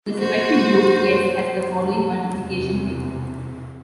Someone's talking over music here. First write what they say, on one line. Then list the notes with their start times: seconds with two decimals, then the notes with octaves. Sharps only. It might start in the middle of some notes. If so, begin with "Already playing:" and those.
The symmetric group S has the following multiplication table.
0.18 F#4 C5
2.33 E2 C3